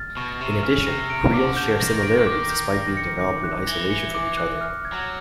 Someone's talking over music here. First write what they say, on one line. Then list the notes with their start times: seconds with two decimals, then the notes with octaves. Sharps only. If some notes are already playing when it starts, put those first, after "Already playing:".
In addition, creoles share similarities despite being developed in isolation from each other.
Already playing: F6 A6
0.17 B2 C#6
0.40 C3 C#6
0.63 C#3 F6
0.87 C3 A#6
1.10 D7
1.33 D3 D6
1.57 G6
1.80 D#3 A#6
2.03 D7
2.27 D6
2.50 G6
2.74 A#6
2.97 C#7
3.21 D6
3.44 F#6
3.67 E3 A#6
3.90 C#7
4.15 D6
4.37 F#6
4.61 F6
4.85 G#6
4.92 F#3